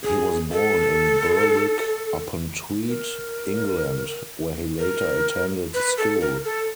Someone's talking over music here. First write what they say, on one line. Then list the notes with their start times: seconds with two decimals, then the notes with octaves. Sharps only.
He was born in Berwick-upon-Tweed, England, where he later attended school.
0.03 G#4
0.51 A4
2.88 A#4
4.79 A#4
5.74 B4
5.97 A4
6.21 A#4
6.45 A4